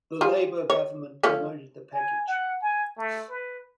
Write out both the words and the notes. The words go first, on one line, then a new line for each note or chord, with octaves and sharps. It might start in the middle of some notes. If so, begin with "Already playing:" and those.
The Labour Government promoted the package.
G3 F4 G#4
C#5
F3 A3 C#4
G#5
F#5
G#5
A3
B4